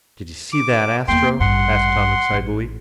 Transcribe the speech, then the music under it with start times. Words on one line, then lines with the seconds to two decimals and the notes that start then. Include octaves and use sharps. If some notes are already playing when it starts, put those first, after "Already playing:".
"Did you see that, Astro?" asked Tom excitedly.
0.53 D6
1.08 E2 A#3 G5 C6
1.40 A1 G2 F#5 C6
2.31 A1